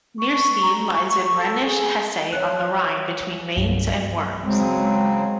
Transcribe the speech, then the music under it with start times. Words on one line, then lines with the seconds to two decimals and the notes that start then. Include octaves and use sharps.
Nierstein lies in Rhenish Hesse on the Rhine between Mainz and Worms.
0.18 C#6
0.61 A#5
0.93 C#6
1.33 A4
1.64 G#4
2.33 C#5 F#6
3.57 C2 G2 F#3
4.43 C#3 F#3 G#3 C4